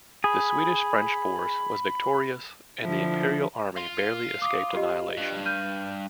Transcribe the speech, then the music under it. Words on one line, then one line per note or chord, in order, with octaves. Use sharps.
The Swedish-French force was victorious, and the Imperial army barely escaped annihilation.
G#4 B5
D3 F3 E4
F5 C6
D6 D#6
F4 G4 D#5
G2
F6 G6 D#7